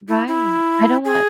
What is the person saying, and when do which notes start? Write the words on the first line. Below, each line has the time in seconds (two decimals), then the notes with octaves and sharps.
Right. I don't want
0.08 E4
0.28 E4
1.05 G#4